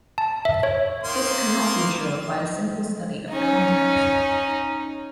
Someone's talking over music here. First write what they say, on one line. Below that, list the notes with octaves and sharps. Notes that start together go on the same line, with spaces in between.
This can not be assured by a simple study of the context.
A5
E5
C#5
D#3 A#3 C6
C#4 D#4